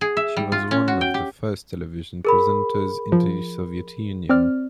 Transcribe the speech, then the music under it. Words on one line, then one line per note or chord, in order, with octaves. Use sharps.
She was one of the first television presenters in the Soviet Union.
G#4
E5
G3
F4
C#4
F#4
G5
G4
G#4 A#4 B5
F3
C4 D5 F6